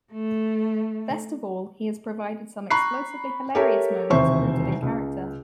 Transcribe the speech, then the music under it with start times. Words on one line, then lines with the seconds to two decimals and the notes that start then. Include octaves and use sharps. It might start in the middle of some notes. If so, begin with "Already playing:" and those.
Best of all, he has provided some explosively hilarious moments rooted in character.
0.12 A3
2.70 A#5 B5 C#6 F#6 C7
3.55 G4 A4 A#4 C#5 E5
4.10 E1 D#2 C3 C5 E5 C#6
4.82 C#2